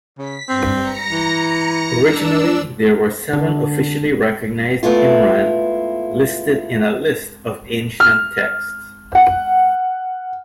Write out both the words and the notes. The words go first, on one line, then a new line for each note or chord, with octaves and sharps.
Originally there were seven officially recognised Immram listed in a list of ancient texts.
C#3 B6
G2 C4
A#5 A#6 C#7
E3
D4 E6
D3
A3 B3 E4 F4
F6
F#5